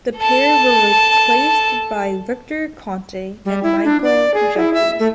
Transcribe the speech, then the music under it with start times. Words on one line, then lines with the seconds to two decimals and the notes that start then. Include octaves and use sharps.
The pair were replaced by Victor Conte and Michael Jeffries.
0.18 A4 A5
3.45 G3
3.63 E4
3.84 D4
4.04 D5
4.34 G#4
4.57 E4
4.74 E5
4.99 A3